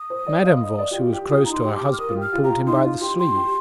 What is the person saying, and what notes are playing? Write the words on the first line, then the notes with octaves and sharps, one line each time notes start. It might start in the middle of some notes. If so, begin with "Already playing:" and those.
Madame Voss, who was close to her husband, pulled him by the sleeve.
Already playing: D#6
C5
D5
D#5
F5
D#5
D#5
D5
G4
F4
G4
F4 D#6
D#4 A#5
C6
G4
D6
F6
A#4 D#6
F4
G4
F6
F4
G4 A#5
F4
D#4 C6
F4
G4 C6
G4 C6
G4